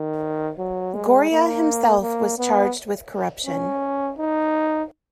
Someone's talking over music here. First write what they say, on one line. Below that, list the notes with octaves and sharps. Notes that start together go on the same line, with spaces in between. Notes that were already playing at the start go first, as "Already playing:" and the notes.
Goria himself was charged with corruption.
Already playing: D#3
F#3
G#3
A#3
A#3
B3
C#4
D#4